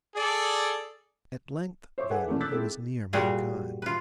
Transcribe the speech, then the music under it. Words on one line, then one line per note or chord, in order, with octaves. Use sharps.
At length, then, he was near mankind.
G#4 A4 D5
C5 C#5 E5 C#6 D6
G#4 A4 B4 E5 F#5 G#5
E3 A3 A#3 C#4 D4
D6 E6 F#6 G6 A6 B6
G#3 C4 E4 G#4 A4
A#2 G3 F#4 G#4 A#5
F4 B4